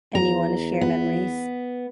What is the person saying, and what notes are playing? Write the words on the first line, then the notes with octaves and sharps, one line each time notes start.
anyone to share memories.
E2 A#5
B3